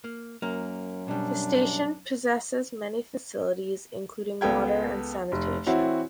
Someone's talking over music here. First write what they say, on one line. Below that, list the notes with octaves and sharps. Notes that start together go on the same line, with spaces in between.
The station possesses many facilities including water and sanitation.
A#3
F#2 A#3
B2 G3 D4
C#2 B3 A4 G5 G#6
F1
E3 C4 E4 F#4 C#5